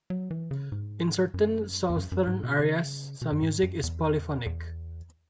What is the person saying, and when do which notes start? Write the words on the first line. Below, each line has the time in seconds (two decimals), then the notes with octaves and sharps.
In certain southern areas, some music is polyphonic.
0.10 F#3
0.31 E3
0.51 C#3
0.72 G#2
1.34 F#2
1.90 E2
1.97 F#2
2.12 F#2
2.27 G#2
2.43 B2
2.59 C#3
3.22 B2
3.32 F#2
3.42 G#2
3.63 F#2
3.83 E2
4.46 E2